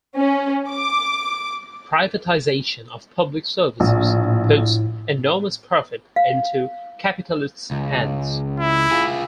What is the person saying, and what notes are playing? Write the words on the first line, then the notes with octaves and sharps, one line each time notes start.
Privatization of public services puts enormous profit into capitalists' hands.
C#4
D6
A#1 A2
F5
C#2
E4
F4 G#4